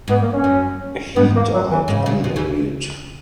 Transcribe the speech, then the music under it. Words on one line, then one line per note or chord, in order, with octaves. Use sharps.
He died unmarried.
G#2 B3
A#3
C#4
F#2
G#2 B3
A#3
F#3
E3
G#2 C#3
A#2
B2
C#3 E3